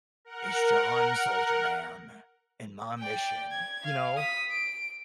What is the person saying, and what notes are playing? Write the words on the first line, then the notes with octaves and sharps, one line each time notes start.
is John Soldier Man and my mission" you know,
A#4 F#5
D5 G5
G#6
F5
D#6 B6
D7